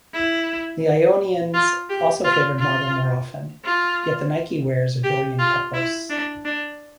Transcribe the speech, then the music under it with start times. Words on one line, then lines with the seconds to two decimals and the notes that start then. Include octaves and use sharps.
The Ionians also favoured marble more often, yet the Nike wears a Dorian peplos.
0.14 E4
1.54 F4
1.90 G4
2.24 F4
2.59 F4
3.64 F4
5.04 G4
5.39 F4
5.74 E4
6.10 D4
6.45 D4